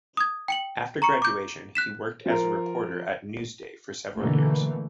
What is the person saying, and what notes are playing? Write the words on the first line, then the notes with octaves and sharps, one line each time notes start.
After graduation, he worked as a reporter at "Newsday" for several years.
D#6 G#6
G5 C#7 F#7
A#5 C#6 C#7
D6 G6
F#6 B6 E7
F3 A#4
B2 D3 E3 A3 A#3